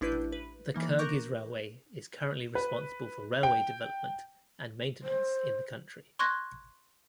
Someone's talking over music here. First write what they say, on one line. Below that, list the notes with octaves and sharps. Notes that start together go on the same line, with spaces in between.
The Kyrgyz Railway is currently responsible for railway development and maintenance in the country.
A1 D4 E4 B4 G6
B4
E3 A#3 D#4
A#4 C#6 D6 F#6 G6 A#6
B4
G5
C5
C6 C#6 F#6 G#6 A#6